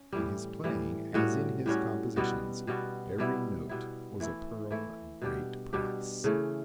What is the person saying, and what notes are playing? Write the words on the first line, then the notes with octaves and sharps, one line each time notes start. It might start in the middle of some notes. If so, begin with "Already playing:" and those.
In his playing, as in his compositions, every note was a pearl of great price.
Already playing: C#4
A2 E3 G3
A2 E3 G3
A2 G3 C#4 F#4
A2 G3 C#4 F#4
B2 G3 B3 F#4
B2 G3 B3 F#4
B2 G3 B3 E4
B2 G3 B3 E4
E3 A3 E4
E3 A3 E4
B2 G3 D4 G4
B2 G3 D4 G4
C#3 E3 A3